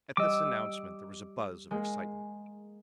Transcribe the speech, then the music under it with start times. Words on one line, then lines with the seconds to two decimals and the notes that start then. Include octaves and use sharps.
At this announcement there was a buzz of excitement.
0.17 G3 D#5 D6 E6
1.71 G#3 A#3